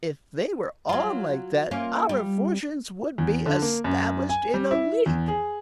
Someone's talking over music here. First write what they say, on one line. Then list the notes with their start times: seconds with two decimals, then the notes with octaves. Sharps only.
"If they were all like that our fortunes would be established in a week."
0.89 F#3 F4
1.71 A#3 C#4 F4
2.09 G3
3.18 E2
3.46 D3
3.62 A#3
3.84 F#2
4.29 G#5
4.54 G3
4.71 E4
5.06 E2
5.28 G#4